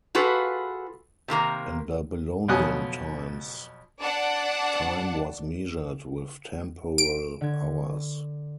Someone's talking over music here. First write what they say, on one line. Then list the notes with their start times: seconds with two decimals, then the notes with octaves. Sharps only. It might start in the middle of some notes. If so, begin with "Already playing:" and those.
In Babylonian times, time was measured with temporal hours.
0.15 F4 F#4 G#4 A4 B4
1.28 C3 D#3 A#3 A#5
2.48 F2 B2 F#3 F#5 G#5 D#6
4.01 D4 D5 F#5 A5
6.98 D7
7.41 D3 G#6